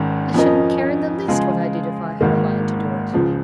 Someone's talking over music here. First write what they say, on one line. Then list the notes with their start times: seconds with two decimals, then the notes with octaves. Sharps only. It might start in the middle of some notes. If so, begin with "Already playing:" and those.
'I shouldn't care in the least what I did if I had a mind to do it.'
Already playing: G#1 G#2 D#3 C#4
0.34 F2 F3 C#4 A#4 D#5
1.28 C#3 F3 G#3 F4 G#4
2.21 G#1 G#2 D#3 A#3
3.13 C#2 C#3 F3